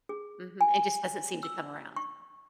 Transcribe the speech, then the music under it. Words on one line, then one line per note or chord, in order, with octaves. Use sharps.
Mhm, it just doesn't seem to come around.
G#4
G#5
E6
C#6